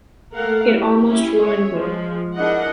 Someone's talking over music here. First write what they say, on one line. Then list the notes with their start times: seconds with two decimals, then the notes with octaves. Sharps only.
It almost ruined me.
0.35 A3 A#3 A4 A#4 F5 F#5
0.67 E4 G4
1.09 C#4 E4 G4
1.41 G#4 C#5 E5
1.73 F3 G#3
2.37 D4 E4 G#4 A#4 D#5 F#5